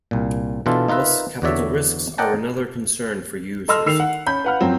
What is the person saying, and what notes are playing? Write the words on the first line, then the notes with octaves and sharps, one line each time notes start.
Thus capital risks are another concern for users.
C2 A#2
B2 E3 D4 F4 A4
D#4 F4 A#4 B4 E5
E2 D3 F#4 C#5 D5 E5
A#4 D5 D#5 F#5 G5 A5
A4 D#5 C6 E6 F6
D#3 E6 C7 F7
F#5
C#4 B5 G6
B4 F5 F#5 B5 F6
F#2 F3 F#3 C4